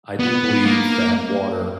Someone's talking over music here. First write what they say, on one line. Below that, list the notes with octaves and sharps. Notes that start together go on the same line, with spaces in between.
I do believe that water
B3
A#3